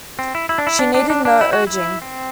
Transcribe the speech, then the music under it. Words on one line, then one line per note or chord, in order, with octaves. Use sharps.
She needed no urging.
C4
E4
E4
D4
E4
D4
D4
D4
D4
E4
F#4
E4
C4